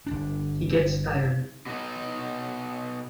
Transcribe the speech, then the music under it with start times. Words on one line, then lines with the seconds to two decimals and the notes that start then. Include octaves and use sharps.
He gets tired.
0.07 G1 D4
1.66 B2 D#4